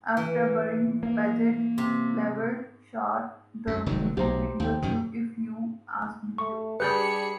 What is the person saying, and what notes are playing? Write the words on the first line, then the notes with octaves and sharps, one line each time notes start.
After burying Padgett, LaBelle shot the music video to "If You Asked Me To".
E3
A#3
C3
F#2 B6
F1 D#3 F#3
B1 G4 C5 A#5
D#2 G5
F#2 B2 D#3
A3 C#6
G2 G3 G#4 B4 B5 G6 A6 C#7